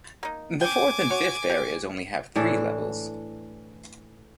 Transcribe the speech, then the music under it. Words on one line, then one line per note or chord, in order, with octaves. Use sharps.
The fourth and fifth areas only have three levels.
A#3 D#4
G5 G#5 D6
F#4 C#5
G4
A2 E3 D4 A4